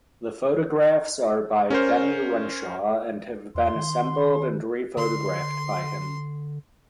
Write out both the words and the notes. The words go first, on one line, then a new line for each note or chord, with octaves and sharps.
The photographs are by Denny Renshaw, and have been assembled and rephotographed by him.
C#4 A#4 C5
E2 C6
D#3
D3 C6